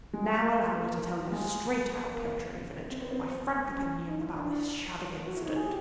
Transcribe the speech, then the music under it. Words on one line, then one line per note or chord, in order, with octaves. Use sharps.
Now allow me to tell you straight out, Pyotr Ivanitch, my frank opinion about this shabby incident.
G#3
A#3
B3
A#3
G3
G#3
A#3
C4
B3
C4
C#4
D#4
E4
D4
F#4
E4
D#4
G#4
G4